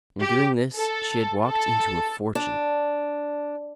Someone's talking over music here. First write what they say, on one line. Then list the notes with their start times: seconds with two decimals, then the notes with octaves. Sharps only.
In doing this she had walked into a fortune.
0.21 G4
0.77 A4
1.47 A4
2.35 D4